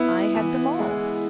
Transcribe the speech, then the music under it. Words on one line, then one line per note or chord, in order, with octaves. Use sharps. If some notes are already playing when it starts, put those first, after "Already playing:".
I had them all.
Already playing: B3 E4
E3
G#3